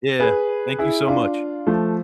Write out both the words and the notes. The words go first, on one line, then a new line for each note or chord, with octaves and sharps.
Yeah. Thank you so much.
G#4 B4
E4 G#4
D4 F4
F3 A3